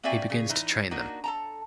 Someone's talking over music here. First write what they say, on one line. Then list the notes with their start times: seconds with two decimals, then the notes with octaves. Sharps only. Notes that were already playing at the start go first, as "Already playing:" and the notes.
He begins to train them.
0.03 A#3 C4 F#4 D5 E5 G#5
0.30 C#3 G#4
0.50 E3 D#4
0.91 A#3 D4 D#4 F#4
1.24 A4 A5 A#5